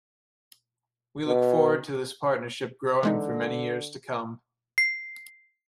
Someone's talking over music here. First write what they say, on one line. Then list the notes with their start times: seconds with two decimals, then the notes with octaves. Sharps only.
We look forward to this partnership growing for many years to come.
1.27 B2
3.03 D3 E3 G#3 D#4
4.78 C7